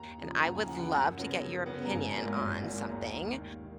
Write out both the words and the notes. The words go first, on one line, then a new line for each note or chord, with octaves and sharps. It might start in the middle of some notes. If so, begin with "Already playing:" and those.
and I would love to get your opinion on something.
Already playing: D#2 A#5
C#3 F3
D#2 A#5
G#5
C#3 F3 F#5
F#5
F#2
C#3 F#3 B3
F#2
C#3 F#3 B3
A#5
G#1 G#5
G#2 F#3 A#3
G#1
G#2 F#3 A#3
D#2 A#5
D#3 A#3
D#2
D#3